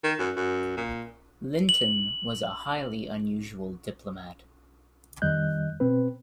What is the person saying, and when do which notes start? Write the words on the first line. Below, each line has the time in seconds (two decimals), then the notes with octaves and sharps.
Linton was a highly unusual diplomat.
0.04 D#3
0.18 F#2
0.36 F#2
0.77 A#2
1.69 F#7
5.22 F2 D#3 G3 D#5 F#6 G6
5.80 B2 C4 B4